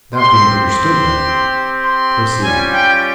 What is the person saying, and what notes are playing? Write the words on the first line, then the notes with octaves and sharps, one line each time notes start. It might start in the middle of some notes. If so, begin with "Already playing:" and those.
"That being understood then, proceed."
C4 G4 C6
C6
C6
G3 C#4 F4 G#5
G5